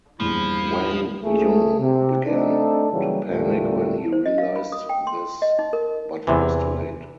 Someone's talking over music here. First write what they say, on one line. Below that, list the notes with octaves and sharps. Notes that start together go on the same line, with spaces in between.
Wang Jun began to panic when he realized this but it was too late.
E2 G2 A#2 F3 E4 B5
C#2 A3 G#4
C3
A3 C4 D4 D#4 A4
A#2 C#3 E3 F#3 G3
A1 E2 A#2 D3 G3 A3
C5
D#5
F5
B5
D#6
G5
C6
D#5
D#4
A#4
E2 C3 E3